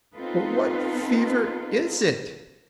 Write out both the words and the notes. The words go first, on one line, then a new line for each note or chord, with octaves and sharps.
"But what fever is it?"
B3 C4 D#4 F4 A4 B4